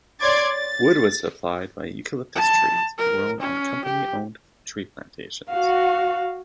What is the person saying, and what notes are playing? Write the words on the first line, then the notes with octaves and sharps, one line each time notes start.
Wood was supplied by eucalyptus trees grown on company-owned tree plantations.
C#5 D5 C6 D6 G#6 A6
A6
A5
A#4
C#4
G4
F#4 F5